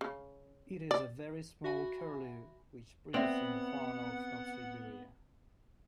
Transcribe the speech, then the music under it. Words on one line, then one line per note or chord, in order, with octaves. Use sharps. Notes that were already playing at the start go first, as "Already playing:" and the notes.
It is a very small curlew, which breeds in the far north of Siberia.
C#3
D5
F#4 E5 F#5 G#5 B5
B3 C4 C5 D5 E5 F#5